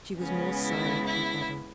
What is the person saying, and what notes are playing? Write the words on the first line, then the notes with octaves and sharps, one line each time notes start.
She was more silent than ever.
C#3 G#3 B3 C#4
E4
E4